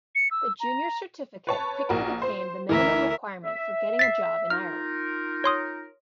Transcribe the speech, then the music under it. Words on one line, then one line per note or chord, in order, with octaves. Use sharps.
The Junior Certificate quickly became the minimum requirement for getting a job in Ireland.
C#7
E6
A#5
B4 C#5 A5
A#1 F#4 A#4
C5
D2 E3 A#4 E5
E5
A6 B6 C7
D#4 F4 A#4 F6
C#5 C6 D#6